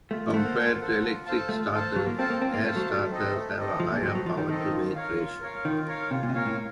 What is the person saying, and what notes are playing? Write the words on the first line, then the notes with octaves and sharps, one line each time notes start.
Compared to electric starters, air-starters have a higher power-to-weight ratio.
A3 F4
A3 A4 C5 F#5
A#3
F4
A4 C5 F#5
F4
A4 C5 F5 A5
A3 F4
A4 C5 F5 A5
F#3 F4
A#3
C4 A4 C5 F5 A5
A#3
C4 F4
A#3
A3 A4 C5 F5 A5
F#3
A3
C4 D#4 A4 D#5
A3
C4 D#4 A4 D#5
F3 A3
A#2
F#3 C4 D#4 A4 D#5
F#3
F3 A3
D#3
D#3 C4 D#4 A4 D#5
D#3
F4
A#4 C#5 F5
F4
A#4 C#5 F5
D#3 F4
A#4 C#5 F5
C3 F4
A#2
C3
A#2 A#4 C#5 F5
A2